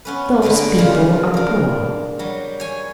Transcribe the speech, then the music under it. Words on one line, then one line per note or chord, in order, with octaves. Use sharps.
Those people are poor.
B3 C#4 B4
D3 G#3 D#4 B4 D5
C#3 G3 A#3 F4
D4 A#4
F#3 G3
C#5 G#5